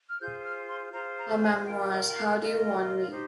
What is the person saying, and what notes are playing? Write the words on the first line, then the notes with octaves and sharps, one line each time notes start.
Her memoirs, How Do You Want Me?
F6
F4 G#4 C5 G6
F6
C6
F4 G#4 C5 A#5
A#5
G#5
F4 A#4 G5
D#5
G5
F5
F4 A#4 D#5
D#4 G4 C5